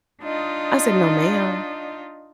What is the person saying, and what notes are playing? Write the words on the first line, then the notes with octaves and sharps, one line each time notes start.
I said, "No, ma'am."
D4 D#4 F4 D#5